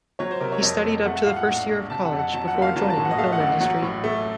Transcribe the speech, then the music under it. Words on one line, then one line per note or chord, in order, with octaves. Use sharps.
He studied up to the first year of college before joining the film industry.
F#3 C#5
C5
C3 A#4
C#5
F2 D#5
F2
A3 F#5
F#5
A2 F5
F#5
A#1 F#5
A#1
C3 A5
F#5
F2
F#5
F#3 A5
F#5
F#1
F5
F#3 A5
A5
A2
F#5
D#5
A3 F5
F#5
A1
F#5
F#3 F#5
A2
A3